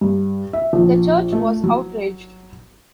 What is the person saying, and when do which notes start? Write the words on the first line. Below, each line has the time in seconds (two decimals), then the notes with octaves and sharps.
The church was outraged.
0.01 G2
0.53 E5
0.73 A#1
1.32 A3
1.63 F#3